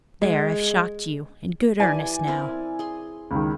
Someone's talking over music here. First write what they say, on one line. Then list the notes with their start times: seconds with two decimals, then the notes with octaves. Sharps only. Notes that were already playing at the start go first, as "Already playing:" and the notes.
There, I've shocked you in good earnest now.
0.22 G#3
1.80 E3 G4 D5 G#5
2.27 C4 E4 A#4
2.79 G#4 C6
3.31 C#2 D#3